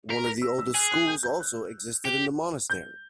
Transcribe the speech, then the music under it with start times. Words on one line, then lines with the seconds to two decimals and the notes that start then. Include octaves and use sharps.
One of the oldest schools also existed in the monastery.
0.10 A#4 B6
0.26 A#6
0.42 E6
0.59 E6
0.74 G#4 F#6
0.91 F#6
1.07 G6
1.23 G6
1.40 F#6
2.05 G4
2.70 G6